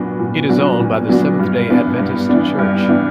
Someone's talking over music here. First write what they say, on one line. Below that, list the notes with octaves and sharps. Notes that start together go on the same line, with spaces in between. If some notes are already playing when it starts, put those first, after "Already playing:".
It is owned by the Seventh-day Adventist Church.
Already playing: A#2 F#3 B3 D4 F#4
A#2
F#3 B3 D4 F#4
A#2
F#3 B3 D4 F#4
G2
E3 B3 D4
G2
E3 B3 D4
G2
E3 B3 D4